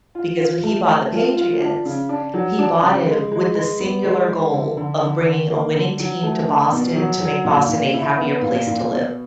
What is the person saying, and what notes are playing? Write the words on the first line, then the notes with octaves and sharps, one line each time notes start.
because when he bought the Patriots, he bought it with the singular goal of bringing a winning team to Boston to make Boston a happier place to live.
F4
F4
A3
A3
F4
F4
D4
C#3
D4
F#3
D4
C#3
G#3
G#3
G#3
B3
G#3
G#3
D3
D3
D3
D3
A#3
D3
F#3
A3
D4
B2
F#3
F#3
A#2
A#2
E4
B3
A#2
A#2
B2